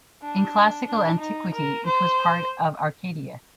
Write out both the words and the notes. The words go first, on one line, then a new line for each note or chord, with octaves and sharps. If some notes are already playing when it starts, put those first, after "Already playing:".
In classical antiquity, it was part of Arcadia.
D4
D4
D#4
A#4
C5